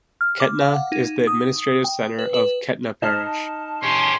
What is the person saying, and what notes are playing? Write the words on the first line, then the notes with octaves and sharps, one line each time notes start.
Kehtna is the administrative centre of Kehtna Parish.
F6
D6
F5
F#5
D#4
D#6
G5
B4
B4
D#4 A5 F6
C#4 G4 C6